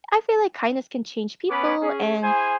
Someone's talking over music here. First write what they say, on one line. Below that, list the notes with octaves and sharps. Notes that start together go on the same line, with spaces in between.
I feel like kindness can change people, and
B3 C#4 B4 C#5 B5 D6
C#4 G#4
E4 G#4 C5 G#5